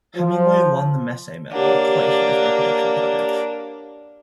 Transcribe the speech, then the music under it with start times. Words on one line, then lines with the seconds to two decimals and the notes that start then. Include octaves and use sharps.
Hemingway won the Massey medal twice for his architecture projects.
0.16 F3
1.52 A#3 D4 G4 C#5 F#5